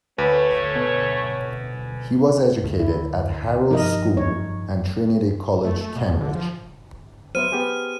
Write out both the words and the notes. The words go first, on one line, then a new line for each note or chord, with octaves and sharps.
He was educated at Harrow School and Trinity College, Cambridge.
D2 A3 B4 C#5
B2
D2
E4
G2 F3 D#4 A#4 D#5
C#5
A3
A3
B2
E2
D3
F3
F#3 B3 C5 E5 F6 D#7
B3 G4 G#4